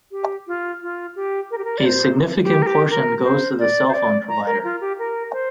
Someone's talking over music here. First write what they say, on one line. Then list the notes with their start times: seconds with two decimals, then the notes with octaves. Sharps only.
A significant portion goes to the cell phone provider.
0.11 G4
0.47 F4
0.82 F4
1.16 G4
1.51 A#4
1.58 G4
1.65 A#4
1.78 D5
1.85 C5
2.43 G4
2.62 A#4
2.67 G4
2.90 A#4
3.24 C5
3.59 D5
3.88 C5
3.94 D5
4.28 A#5
4.46 A#4
4.64 F4
4.81 G4
4.99 A#4
5.33 C5